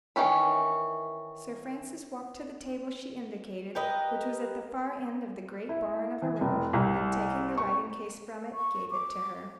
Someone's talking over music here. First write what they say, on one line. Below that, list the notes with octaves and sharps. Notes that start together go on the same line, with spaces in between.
Sir Francis walked to the table she indicated, which was at the far end of the great barn of a room, and taking the writing-case from it, gave it to her.
D#3 E3 C#4 B5
G4 A#4 B4 D#5
E4
E3
F1
C2
C#6
C#6
D6